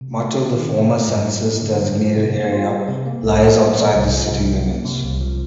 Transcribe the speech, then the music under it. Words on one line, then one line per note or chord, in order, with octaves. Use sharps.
Much of the former census-designated area lies outside the city limits.
C3
A3
C4
D#3
C3
A3
G2
F3
A#3
D3
G2
F3
C3
A#3
F4
G3
C3
A#3
C2
F3
A#3
A#2
C2
F3
C2
F3
A#3
C3
C2
F3